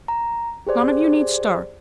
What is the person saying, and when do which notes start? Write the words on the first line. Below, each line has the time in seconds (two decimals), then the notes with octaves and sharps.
None of you need stir.
0.08 A#5
0.67 G4 G#4 C5 D5